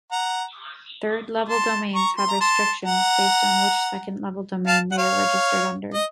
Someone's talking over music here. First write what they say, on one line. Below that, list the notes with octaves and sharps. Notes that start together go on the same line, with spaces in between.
Third-level domains have restrictions based on which second-level domain they are registered under.
F#5 A#5
A5 C6
A#5 C#6
C6
A#5
A5 C6
F#5 A#5
F5 A5
F#5
C#5 F5
D#5